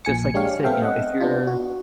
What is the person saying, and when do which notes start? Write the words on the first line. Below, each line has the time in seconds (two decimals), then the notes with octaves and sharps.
just like you said, you know, if you're
0.05 A#1 A#2 G#5 C#7
0.34 G#3 D4 G4 C#5 F5
0.64 B3 C4 A4 E5 F5 G5
0.82 D#5 F#5
1.20 B3 D4 F4
1.47 F#4